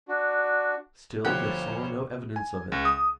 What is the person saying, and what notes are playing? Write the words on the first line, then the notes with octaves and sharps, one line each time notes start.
Still they saw no evidence of it.
D4 F#4
G1 D2 F3 G4 C5 C#5 F#5
G#5
C#2
D#6